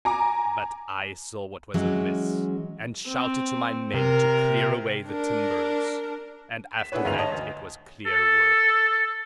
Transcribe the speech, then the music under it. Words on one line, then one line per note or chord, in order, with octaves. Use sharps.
But I saw what was amiss, and shouted to my men to clear away the timbers; and after that it was clear work.
G#5 A#5 D6
E3 F#3 G#3 C#4
C4
C3 A#4
D4 A#4
B6 E7
B3 D4 E4 G#4 B4 C#5
D2 G#2 D#3 B4 F5 F7
C#5 D#5 A5
D2
A4